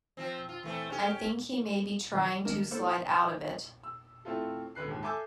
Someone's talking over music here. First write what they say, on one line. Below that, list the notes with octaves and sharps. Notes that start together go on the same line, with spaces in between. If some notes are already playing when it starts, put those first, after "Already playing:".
I think he may be trying to slide out of it.
F3 C4
F4
E3 A3 C4
C#4 G4
B2 D#3 F3
G#1 G#3 A#3 D4 A#4 E7
A#3 E4 A4 C5
E6
A3 C4 E4 F4 A4
C#2 D3 B4 F#6 C7
D#2 G#2
A4 E5 G#5 D6 E6 G6